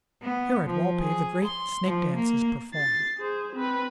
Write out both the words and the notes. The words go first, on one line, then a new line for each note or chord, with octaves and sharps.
Here at Walpi the great snake dance is performed.
B3
F3
G#4
C6
F3
A#3
A6 C7
G#4 C5
C4 B4